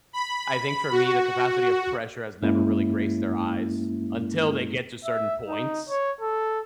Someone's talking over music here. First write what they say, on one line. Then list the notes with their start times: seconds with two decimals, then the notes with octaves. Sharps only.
I think for me, the capacity of pressure has never really graced their eyes, until they get to certain points,
0.13 B5
0.92 F#4
2.42 G2 G#3 A#3 C#4 E4
5.05 E5
5.48 D#4
5.89 C#5
6.21 A4